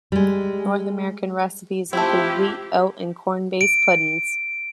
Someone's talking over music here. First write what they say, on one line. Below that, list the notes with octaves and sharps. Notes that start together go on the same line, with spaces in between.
North American recipes include wheat, oat, and corn-based puddings.
G3 G#3
A3 C4 E4 F4 G4
D7